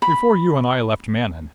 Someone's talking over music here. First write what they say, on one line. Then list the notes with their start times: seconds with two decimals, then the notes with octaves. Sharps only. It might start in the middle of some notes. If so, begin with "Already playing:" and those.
Before you and I left Manon.
0.02 B5